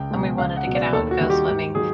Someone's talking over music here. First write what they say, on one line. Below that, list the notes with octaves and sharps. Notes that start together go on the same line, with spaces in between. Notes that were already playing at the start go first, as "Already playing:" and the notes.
and we wanted to get out and go swimming,
Already playing: C#2 G5
B2 G#3
C#2 F5
F#5
B2 F#3
D5
D#2 A4
F#4
D#3 G3
G4
G#2 G4
D#3 F#3 G#4